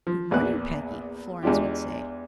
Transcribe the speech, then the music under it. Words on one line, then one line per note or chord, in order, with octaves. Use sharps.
"Good morning, Peggy!" Florence would say.
F3
A#1 E2 B3 F#6
E2 G#3 D4 F4 G4